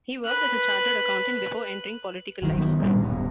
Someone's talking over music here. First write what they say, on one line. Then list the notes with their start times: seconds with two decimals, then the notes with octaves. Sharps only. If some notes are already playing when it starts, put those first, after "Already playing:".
He worked as a chartered accountant before entering political life.
0.24 B4 F#6
2.42 G1 D#3 F#3
2.56 D#3 B3
2.82 G2 A#2 G3
3.02 D1 G2 B3